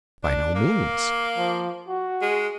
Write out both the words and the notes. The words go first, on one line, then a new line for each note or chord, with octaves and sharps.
"By no means."
D4
A#3
F3
F#4
G#3